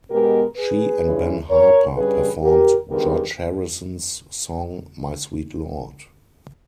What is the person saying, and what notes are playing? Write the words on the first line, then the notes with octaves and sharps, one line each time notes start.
She and Ben Harper performed George Harrison's song My Sweet Lord.
B2 G#3 B3 G4 A#4
G#4 B4
G2 E3 G#3 C#4
A#4 C#5
G2 G3 C#4 G#4 B4
G4 A#4
G2 D#3 G#3 B3 G4 A#4